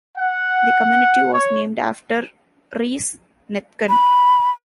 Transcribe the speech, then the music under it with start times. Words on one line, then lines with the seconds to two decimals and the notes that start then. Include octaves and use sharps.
The community was named after Reese Nethken.
0.17 F#5
1.32 C#5
3.89 B5